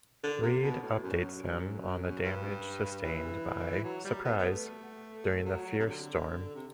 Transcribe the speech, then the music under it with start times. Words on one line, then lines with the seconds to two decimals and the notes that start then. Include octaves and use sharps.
Reade updates them on the damage sustained by "Surprise" during the fierce storm.
0.23 D3
0.43 C3
0.59 C3
0.63 B2
0.83 A2
1.03 F#2
1.43 F#2
2.23 G2
3.04 E3
3.84 F#3
4.04 G3
4.24 B3
4.38 B3
4.51 A3
5.46 F#3
5.79 C3
5.86 D3
6.56 C3